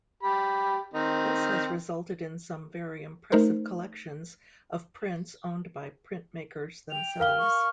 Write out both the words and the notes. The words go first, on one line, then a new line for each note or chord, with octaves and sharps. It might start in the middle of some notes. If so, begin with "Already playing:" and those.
This has resulted in some very impressive collections of prints owned by printmakers themselves.
G4 B5
D#3 C4 D#4
A3 D#4 A#4 C5
G5 F7
A#4 F5 F6 G7
C#6